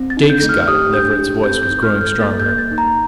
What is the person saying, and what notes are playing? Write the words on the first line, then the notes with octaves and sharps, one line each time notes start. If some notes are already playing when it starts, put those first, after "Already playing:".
"Jake's got it." Leverett's voice was growing stronger.
Already playing: C4
A6
D#4
G6
A3
F6
G4 D#6
D4 G6
G4
C4 G6
G6
D#4
F6
A4
G6
A#3 A6
G6
A#3
A6
D#4
A#5